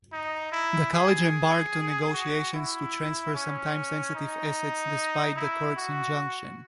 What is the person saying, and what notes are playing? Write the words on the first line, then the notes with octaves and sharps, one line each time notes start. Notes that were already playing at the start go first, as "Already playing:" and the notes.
The college embarked on negotiations to transfer some time-sensitive assets despite the court's injunction.
D#4
E4
G#4
F#4
E4
C#4
D#4
E4
F#4